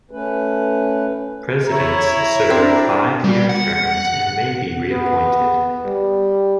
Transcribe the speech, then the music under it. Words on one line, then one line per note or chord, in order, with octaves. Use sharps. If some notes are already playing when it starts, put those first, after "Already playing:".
Presidents serve five-year terms and may be reappointed.
A3 C#4 B4
E4 C#5 A#5
C4 D4
G3
F#5
B3
G3